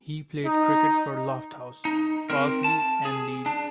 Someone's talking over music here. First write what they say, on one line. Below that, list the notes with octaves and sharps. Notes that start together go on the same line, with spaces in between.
He played cricket for Lofthouse, Farsley and Leeds.
D#4
D#4
C4 A#4
A5
G#4
D4